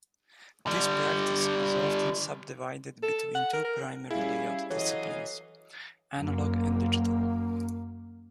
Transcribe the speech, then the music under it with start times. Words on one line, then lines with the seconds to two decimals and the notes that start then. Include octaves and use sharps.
This practice is often subdivided between two primary layout disciplines: Analog and digital.
0.67 D3 G3
3.03 A4
3.35 F#5
3.53 A#4
3.64 A#4
4.11 G3 C#4 E4 G#4 F5
4.70 E3 F#3 A4 D#5 F5
6.17 F#2 A#3